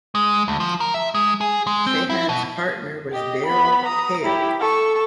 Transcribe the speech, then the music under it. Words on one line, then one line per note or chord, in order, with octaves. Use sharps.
Sheahan's partner was Darrell Hair.
G#3
D2
F3
A#4
E5
G#3
G#4
G#3
C4
E4
B2
G4 D#5
B3 B5
A#5 D#6
E4 G4
A4 C#6